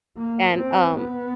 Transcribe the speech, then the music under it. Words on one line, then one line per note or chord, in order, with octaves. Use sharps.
And, um
A#3
C4
B3